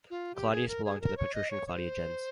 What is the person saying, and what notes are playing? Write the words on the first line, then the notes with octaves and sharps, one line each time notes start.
Claudius belonged to the patrician Claudia gens.
F4
G4
G#4
A#4
G#4
A#4
C#5
D#5
C#5
C#5
C5